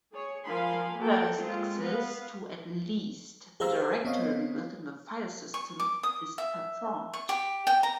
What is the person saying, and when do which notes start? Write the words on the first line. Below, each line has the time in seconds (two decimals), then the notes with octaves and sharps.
The first access to at least the directory within the filesystem is performed.
0.13 G#4 C#5
0.45 F3 A#4 F5 G#5 B5 C6
0.97 A#3 F#4 A4 G5
1.38 G#3 C4 F4
1.81 B3 B4 F5
3.60 G4 G#4 C5 F5 A#5 E6
4.05 B3 C4 C#5 D#5 F5
5.54 C#6
5.79 D6
6.03 D#6
6.38 E5
7.13 C#6
7.29 G4
7.67 G5
7.83 A#5